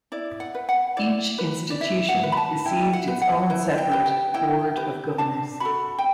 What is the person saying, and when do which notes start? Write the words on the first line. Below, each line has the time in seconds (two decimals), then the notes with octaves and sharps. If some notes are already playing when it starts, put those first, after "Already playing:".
Each institution received its own separate board of governors.
0.12 E4 D5
0.40 F#5
0.55 B4
0.69 F#5
0.97 E4 D5
1.38 B4
1.70 D5
1.81 E4 E5
2.09 F#5
2.23 B4
2.32 B5
2.37 A5
2.65 E4 G5
2.93 F#5
3.08 B4
3.22 F#5
3.50 E4 B4
3.78 G5
3.92 G4 B4
4.06 G5
4.34 E4 G5
4.76 G4 B4
5.18 D4 A5
5.60 F#4 A4 B5
5.98 G5